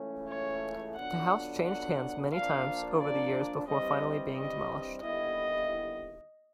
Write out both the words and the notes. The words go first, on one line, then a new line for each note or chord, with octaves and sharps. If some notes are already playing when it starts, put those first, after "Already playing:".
The house changed hands many times over the years before finally being demolished.
Already playing: C#2 C#3 E3 A3 C#4
C#5
D3 F#3 B3 D4 F4 F#5
F#5
F3 A#3 D4 F5
D5
G2 E3 G3 C4 D#5
D#5
D#2 D3 G3 B3 E4 D#5